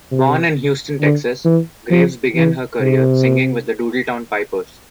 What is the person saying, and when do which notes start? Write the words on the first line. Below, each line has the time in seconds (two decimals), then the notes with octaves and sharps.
Born in Houston, Texas, Graves began her career singing with The Doodletown Pipers.
0.11 C3
1.01 D3
1.45 E3
1.90 F3
2.36 E3
2.81 C3